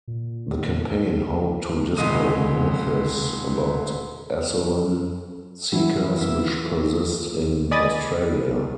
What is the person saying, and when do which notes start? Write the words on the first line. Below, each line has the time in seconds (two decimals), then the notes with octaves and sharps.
The campaign hoped to dispel myths about asylum seekers which persist in Australia.
0.08 A#2
1.97 D#1 C2 G#3 D#6 D#7
5.72 E3 E4 F#4
6.17 A#3 E5
7.71 D5 D#5 G#5 B5 D#6 A6